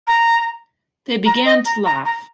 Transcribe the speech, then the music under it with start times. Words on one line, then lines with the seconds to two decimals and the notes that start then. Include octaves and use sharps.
They began to laugh.
0.07 A#5
1.26 A#5
1.45 D#5
1.65 A#5
1.85 A#5
2.05 A#5